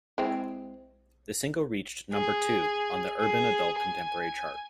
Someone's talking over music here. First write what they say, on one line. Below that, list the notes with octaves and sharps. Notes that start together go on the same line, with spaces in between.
The single reached number two on the Urban Adult Contemporary chart.
G#3 C4 E4
G#4
G#4
G#5